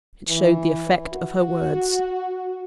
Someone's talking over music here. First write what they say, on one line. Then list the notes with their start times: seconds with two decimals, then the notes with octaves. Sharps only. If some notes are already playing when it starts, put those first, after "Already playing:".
It showed the effect of her words.
0.28 E3
1.13 F#4